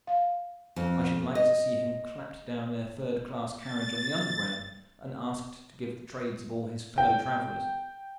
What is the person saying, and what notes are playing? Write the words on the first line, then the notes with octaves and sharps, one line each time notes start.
I should like to see him clapped down in a third class carriage on the Underground, and asked to give the trades of all his fellow-travellers.
F5
F2
D#5
A6
G5